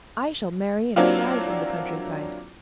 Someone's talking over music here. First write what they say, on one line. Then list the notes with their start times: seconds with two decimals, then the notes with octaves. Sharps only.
I shall marry and fly from the country-side.
0.96 F#3 A#3 C4 D4 E4 F4